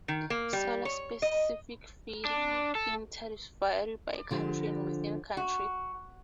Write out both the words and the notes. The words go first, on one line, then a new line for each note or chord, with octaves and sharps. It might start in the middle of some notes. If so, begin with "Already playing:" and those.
Solar-specific feed-in tariffs vary by country and within countries.
D#3
A#3
G3
C#5
D#5
D4
A4
D3 F3 G4
F#4